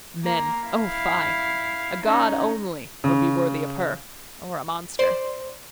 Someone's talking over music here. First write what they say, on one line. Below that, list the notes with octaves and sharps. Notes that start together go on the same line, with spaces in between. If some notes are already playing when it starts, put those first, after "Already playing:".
Men! oh, fie! a god only would be worthy of her, or a monster.
A#3 A#4
E4 F5
C#4 D#4
C#3
C5 D5 C6